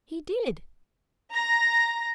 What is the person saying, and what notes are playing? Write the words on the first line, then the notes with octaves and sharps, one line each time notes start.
"He did."
A#5 A#6